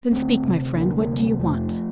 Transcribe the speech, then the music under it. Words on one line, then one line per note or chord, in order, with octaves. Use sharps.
"Then speak, my friend; what do you want?"
D2 A3 C4
C3
D2 A#3 D4
G3 A#3
C3
G3 A#3
F2 F3 A3